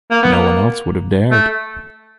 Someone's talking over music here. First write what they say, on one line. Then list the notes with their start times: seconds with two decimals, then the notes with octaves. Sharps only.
No one else would have dared.
0.11 A#3
0.22 B3
0.32 A#3
1.31 A3